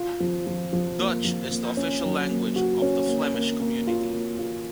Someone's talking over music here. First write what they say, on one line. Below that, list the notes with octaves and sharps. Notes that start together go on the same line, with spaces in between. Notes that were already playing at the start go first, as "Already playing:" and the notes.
Dutch is the official language of the Flemish Community.
Already playing: F4
F3
F3
F3
A#3
F3
A#3
C#4
F#3
A#3
F#4
C#4
A#3
A#3
A#3
F4
A#3
F4